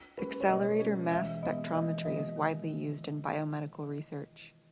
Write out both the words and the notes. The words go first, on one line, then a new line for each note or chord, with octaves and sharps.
Accelerator mass spectrometry is widely used in biomedical research.
G#3 C#4 G#4 B4
C#5
B2 D#5
G#3 C#4 G#4
E3 E5
G#3 B3 D#5
E3 D#5
G#3 B3 D#5
D#3